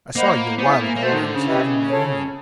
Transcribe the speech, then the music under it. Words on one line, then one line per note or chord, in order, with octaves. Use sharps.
"I saw you a while ago, when I was having my meal."
A#3 C5 D#5 F#5 B5
B3 E4 G#4 C5
A#3
A#3
A3 F#4 A4 C5
D#3
D3
C#3
E4 G4 B4 D#5
F4 A4 C#5